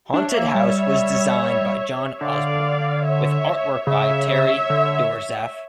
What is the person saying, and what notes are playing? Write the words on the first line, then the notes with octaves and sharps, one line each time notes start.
"Haunted House" was designed by John Osborne, with artwork by Terry Doerzaph.
D4 C#5 E5
A#3
G3
D3 D5 F5
C#5 E5
C#3 C#5 E5
D3